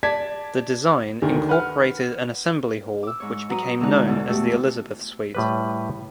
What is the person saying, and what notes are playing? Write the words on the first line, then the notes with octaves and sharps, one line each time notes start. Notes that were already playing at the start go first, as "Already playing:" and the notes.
The design incorporated an assembly hall which became known as the Elizabeth Suite.
D5 A5 G#6 B6
D2 D3 D#3
B4 F#5 F6
D6 E6
G#2 C#5
F#3 F#4 B4 A#5 D#6
E2 D3 E3 G#3 D#4 F#6
B2 E3 A4
E3 A3 E4 F#4 G4
A2 G3 B4